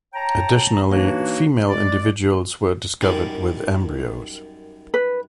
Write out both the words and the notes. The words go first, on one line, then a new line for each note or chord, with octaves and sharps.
Additionally, female individuals were discovered with embryos.
C#5 G5 A5 A#5
E3 A#3 D4 D#4 F#4 C#5
G#3 D5
F#2 D#3 G3
B4